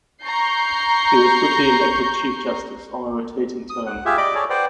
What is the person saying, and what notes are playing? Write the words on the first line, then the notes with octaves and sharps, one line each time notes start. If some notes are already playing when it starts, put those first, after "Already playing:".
He was quickly elected chief justice, on a rotating term.
A#5 C#6 G6 C7
D#6
F#5
F4 G4 G#4 E5
D5 D#5 B5 D6
G#4 A4 C#5 D5
B4 C5 D5 F#5 G5